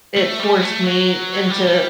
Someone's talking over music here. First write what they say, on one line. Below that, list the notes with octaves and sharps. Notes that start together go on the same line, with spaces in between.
it forced me into
A3
G3
A3
F#3
G3
G3